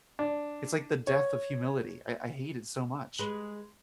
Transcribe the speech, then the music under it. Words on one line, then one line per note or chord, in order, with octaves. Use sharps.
it's like the death of humility, I I hate it so much.
D4
C#5
G#3 B4